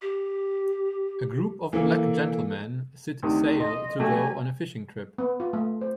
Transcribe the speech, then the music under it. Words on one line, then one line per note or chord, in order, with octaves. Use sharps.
A group of black gentlemen sit sail to go on a fishing trip.
G4
E3 A#3 A4
D2 C3 D#3
D#5 C6
G3 A3 F#4 E5 G#5
B3
F4
A3
C5